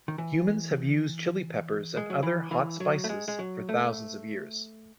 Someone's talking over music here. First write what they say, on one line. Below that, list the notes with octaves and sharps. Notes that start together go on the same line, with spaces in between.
Humans have used chili peppers and other hot spices for thousands of years.
D#3
E3
G#3
F#3
E3
E3
F#3
A3
G#3
G#3
F#3
A3